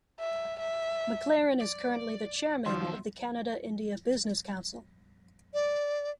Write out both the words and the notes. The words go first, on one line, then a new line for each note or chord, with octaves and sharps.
MacLaren is currently the Chairman of the Canada-India Business Council.
E5
E5
D5
B2 D#3 F3 F#3 F#4 E5
D5